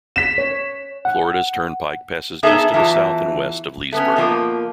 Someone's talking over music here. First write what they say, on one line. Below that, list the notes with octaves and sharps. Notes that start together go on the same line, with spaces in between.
Florida's Turnpike passes just to the south and west of Leesburg.
B6 E7
C#5
F#5
B3 D#4 G#4 A4 E5
E2 E3 F#3 F4 E5 A5
A3 B3 C#4
B2 F3 A#3